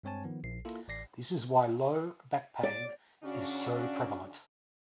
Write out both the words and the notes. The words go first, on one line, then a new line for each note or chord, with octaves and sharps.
This is why low back pain is so prevalent.
G2 G#3 C4 C#5 G#5 A5
D#3 F3 B3
A#1 C7
A#3 E4 F4 A4
A1 D5 A#6 C7
D5
C#3 C#4 D4 F#4